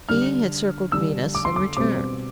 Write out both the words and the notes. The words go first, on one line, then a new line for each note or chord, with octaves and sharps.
He had circled Venus and returned.
D3 G3 D4 F6
D3 G3 D4 E6
D6
C6
D6
B2 G3 C4 D6